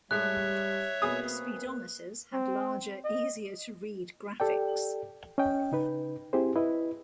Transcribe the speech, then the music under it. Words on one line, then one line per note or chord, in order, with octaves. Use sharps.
Speedometers had larger, easier-to-read graphics.
A2 G3 G#3 C#5 E5 F#6
B2 A#3 C4 G#4 B4 D#6
C4
D#5
G4 A4 D5 G5
C#4 D#5 G5
C#3 D#4 B4
C4 E4 G4 G#4 C5
E4 B4 D#5